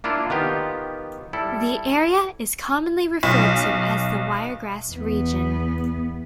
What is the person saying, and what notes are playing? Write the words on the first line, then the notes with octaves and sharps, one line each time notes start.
The area is commonly referred to as the Wiregrass Region.
A#3 D4 E4 F4
D#3 B3 F4 G4
G3 E4 A4
B1
E2 B3